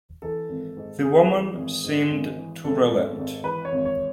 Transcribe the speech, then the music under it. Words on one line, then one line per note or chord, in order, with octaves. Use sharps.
The woman seemed to relent.
E3 A4
G#1
G#2
G#1 G#4
E3
G#1
G#2
G#1
E3
G#1 A4
G#2
G#1
E3 B4
C#5
G#1
C#5